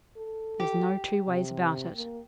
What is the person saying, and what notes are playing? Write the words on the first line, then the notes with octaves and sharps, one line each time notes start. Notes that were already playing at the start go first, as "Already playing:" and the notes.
There's no two ways about it.'
A4
G4
C3
A#3